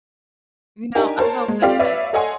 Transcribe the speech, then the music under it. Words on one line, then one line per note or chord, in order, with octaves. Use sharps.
You know, I hope the same.
D4 D#4 G4 A#4 G#5
A#4 C5 C#5 A5
G#3
C4 F4 G4 A4 D5 F5
B4 C#5 D5 E5 F5
A4 C#5 D#5 F#5 G#5 C6